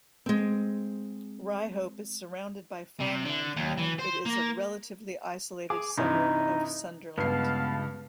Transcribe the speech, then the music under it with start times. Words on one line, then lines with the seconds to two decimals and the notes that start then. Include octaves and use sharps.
Ryhope is surrounded by farmland meaning it is a relatively isolated suburb of Sunderland.
0.26 G#3 C4
3.00 C3
3.25 D3
3.57 D#2
3.77 E3
3.99 C5
4.25 A#3
5.70 G#4 D6
5.98 G2 C3 E3 D#4
7.18 C#2 G2 B3 F5 A5 C7